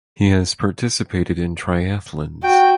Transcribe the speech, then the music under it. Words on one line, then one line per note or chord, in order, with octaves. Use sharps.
He has participated in triathlons.
F#4 G5